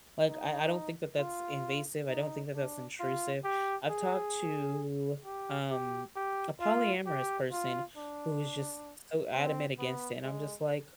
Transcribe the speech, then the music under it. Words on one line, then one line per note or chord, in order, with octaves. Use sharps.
Like, I I don't think that that's invasive, I don't think that that's intrusive, I've talked to, um, a polyamorous person who was just so adamant against it, and I'm just like,
D#4
F4
D#4
D4
F4
G4
G#4
G4
G4
G4
F4
G4
F4
D4
C4
B3
G#3